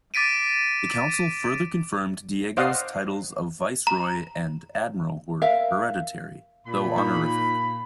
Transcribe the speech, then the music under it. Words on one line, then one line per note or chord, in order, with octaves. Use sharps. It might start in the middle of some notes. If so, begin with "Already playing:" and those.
The council further confirmed Diego's titles of Viceroy and admiral were hereditary, though honorific.
D6 A6 B6 D7 D#7
C5 D5 D#5 F5 F#5
A#5
A#4 E5 F5
A#2 B5
D#4